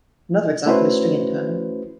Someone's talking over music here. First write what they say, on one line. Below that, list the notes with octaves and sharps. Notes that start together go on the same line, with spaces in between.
Another example is string interning.
A3 C#4 E4 F#4 B4 C5